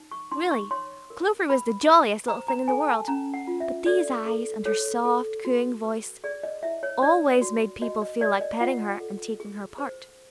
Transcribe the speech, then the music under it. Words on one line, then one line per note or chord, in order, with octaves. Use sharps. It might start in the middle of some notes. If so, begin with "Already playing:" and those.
Really, Clover was the jolliest little thing in the world; but these eyes, and her soft cooing voice, always made people feel like petting her and taking her part.
Already playing: D#4
C#6
D#4 C6
C#6
C#5 C6
A#4
B4 B5
B4
C5 A#5
A#5
A4 G#5
A5
C#4 A#5
F#5
F4
E5
A4 D5
A4
A4 C#5
A4
F#4
B4
G#4 D5
D#5
E4 E5
C#5
D#4 D5
F#4
F#4 D#5
D#5
A#4 D5
D#5
F4 F#5
A4
G#4
C5